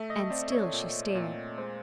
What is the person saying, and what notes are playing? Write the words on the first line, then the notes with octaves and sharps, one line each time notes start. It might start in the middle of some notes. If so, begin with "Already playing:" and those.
And still she stared.
Already playing: A3 E5
D#5
C4 D5
C#5
A#2
A#2
G#3 C5